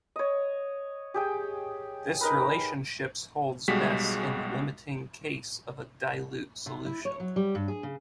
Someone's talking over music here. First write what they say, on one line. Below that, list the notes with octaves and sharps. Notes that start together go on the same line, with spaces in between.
This relationships holds best in the limiting case of a dilute solution.
C#5 D#5
G4 G#4 G5
D#4 A#4 B4
B1 G3 G#3 F#4 B6
C3
E4
C#5
F#3
G3
G2
G#4
C#3